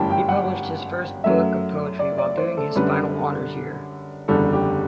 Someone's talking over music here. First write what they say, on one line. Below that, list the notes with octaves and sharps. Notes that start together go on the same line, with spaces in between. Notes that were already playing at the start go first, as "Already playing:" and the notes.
He published his first book of poetry while doing his final honours year.
Already playing: G1 F#2 E3 G3 G5 A5
G5
F#5
F#2 F#3 A3 E5
D5
D5
C5
A4
F#2 D3 G3 B4
F#1 E2 D3 G3 A4
G4